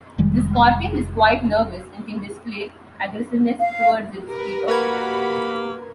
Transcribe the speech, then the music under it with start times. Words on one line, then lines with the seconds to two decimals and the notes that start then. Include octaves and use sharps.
This scorpion is quite nervous and can display aggressiveness towards its keeper.
0.18 F1 D#3 G3 G#3
3.59 F5
4.28 G4 A#4 B4
4.68 A#3 F#4 A#4 B4 B5 G#6